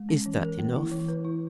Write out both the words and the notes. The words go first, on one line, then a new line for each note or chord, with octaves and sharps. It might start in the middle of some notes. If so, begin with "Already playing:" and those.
"Is that enough?"
Already playing: G#3
C#4
E3
A#4
A#3
E4
E3
B4
E4